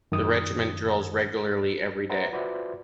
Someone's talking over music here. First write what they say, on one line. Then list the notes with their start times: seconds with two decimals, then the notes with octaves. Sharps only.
The regiment drills regularly every day.
0.12 F#2 D#3 D#6
2.10 B4 C5 E5 F#5 A#5
2.32 F4 F#4 B4 C5 D5 E5